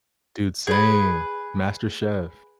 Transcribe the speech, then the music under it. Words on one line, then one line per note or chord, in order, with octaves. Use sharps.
Dude, same. MasterChef.
G#4 B4